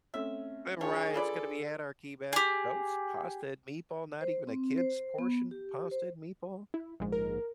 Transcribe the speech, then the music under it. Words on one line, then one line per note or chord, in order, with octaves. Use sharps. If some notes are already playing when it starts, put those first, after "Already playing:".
The riot's gonna be anarchy, man, "Those pasta and meatball not even a kid's portion of pasta and meatball?"
A3 C4 C#4 E5
F3 D4 G#4 C#5
F4 A4 B4 D5
G4 G#4
C5
C4
C5
B3
G4
C5
E4
A#1 G#2
A#4